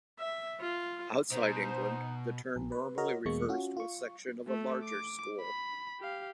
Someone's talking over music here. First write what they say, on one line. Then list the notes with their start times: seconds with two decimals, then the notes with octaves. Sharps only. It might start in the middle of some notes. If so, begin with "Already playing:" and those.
Outside England, the term normally refers to a section of a larger school.
0.19 E5
0.60 F4
1.32 B2 D#4 C5
2.56 A#1
2.72 B4
2.98 F#4 A#4 C#5 D#5 A#5
3.26 E2 B2 G#3 A#3 C#6 C#7
3.49 C#4 F4 F#4
3.77 F4 C#6
4.48 A3
4.84 D6
5.41 B5
6.00 G4 F5